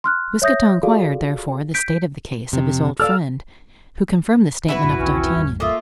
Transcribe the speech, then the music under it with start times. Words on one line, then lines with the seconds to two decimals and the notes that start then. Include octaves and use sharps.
Mousqueton inquired, therefore, the state of the case of his old friend, who confirmed the statement of D'Artagnan.
0.04 C6 F6 F#6
0.42 C#5 E5 D#6 G6 A#6
0.83 F4 F#4 G#4 A4 D5 F5
1.74 G6 B6 D7
2.52 F2 C3
3.00 A4 D5 F5 E6 F6
4.68 E4 F#4 B4
4.84 G1 F#2 A#2
4.99 B1 E2 D#3 E3 C4 C#4
5.34 G#1 E2 G3
5.60 A3 A#3 F4 E5 D#6